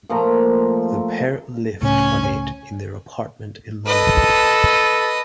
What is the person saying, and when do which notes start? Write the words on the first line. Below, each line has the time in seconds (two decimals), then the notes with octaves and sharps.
The pair lived on it in their apartment in London.
0.09 A#2 F3 A3 A#5
1.81 C#2 A2 C#3 C#4 G#5
3.86 A4 B4 D#5